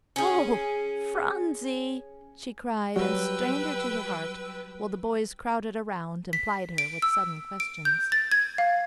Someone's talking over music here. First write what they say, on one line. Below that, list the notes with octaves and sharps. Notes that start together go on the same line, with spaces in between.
"Oh, Phronsie!" she cried, and strained her to her heart; while the boys crowded around, and plied her with sudden questions.
C#4 G#4
F#3 G3 F#4 B4 G5 E6
B6
D7
E6
D7
G6
A6
G#6
F5